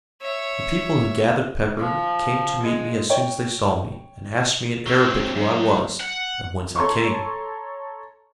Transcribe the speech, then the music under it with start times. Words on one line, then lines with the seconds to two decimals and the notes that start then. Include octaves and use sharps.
The people who gathered pepper came to meet me as soon as they saw me, and asked me in Arabic who I was, and whence I came.
0.21 C#5 E5
1.78 F3
2.63 G#3
3.10 C#5 G5
4.87 F#3 C4
5.36 F#2
6.01 F#5
6.76 A4 C#5 A#5 C6 C#6